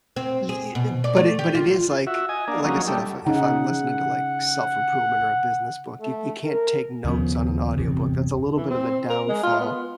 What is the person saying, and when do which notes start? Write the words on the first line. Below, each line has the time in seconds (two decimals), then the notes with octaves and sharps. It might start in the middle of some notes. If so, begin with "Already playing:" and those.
Ye i but it but it is, like, like I said, if I if I'm listening to, like, self-improvement or a business book, you you can't take notes on an audiobook. That's a little bit of a downfall.
0.16 C4
0.49 G#4
0.75 B2
1.04 D5
1.16 A3
1.39 G4
1.55 F4
2.07 F#4 E5
2.29 D#5 G#5
2.48 A#3 D4
2.64 F#3 A#3 C#4 D#4
2.87 G3 A3
3.26 C#3 D#4 F#5
6.01 A3
6.43 A#4
7.05 D#2 C#3 F3 B3
7.75 D1 G1 E2 C3
8.57 E3
8.70 C4
9.10 A#4
9.29 G#3
9.43 F4
9.61 B3